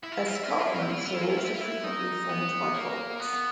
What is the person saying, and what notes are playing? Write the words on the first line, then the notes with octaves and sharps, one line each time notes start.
Escarpments are also frequently formed by faults.
E4
F4
E4
F4
E4
F4
E4
F4
E4
F4
E4
F4
E4
F4
E4
F4
E4
F4
E4
F4
E4
D#4
B3
A#3
B3